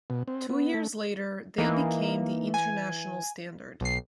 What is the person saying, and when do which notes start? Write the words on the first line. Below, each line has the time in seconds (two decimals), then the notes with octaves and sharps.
Two years later, they became the international standard.
0.10 B2
0.28 C4
0.49 B3
0.74 A3
1.58 E3 A#3 D#4
2.54 G#5
3.81 B1 C7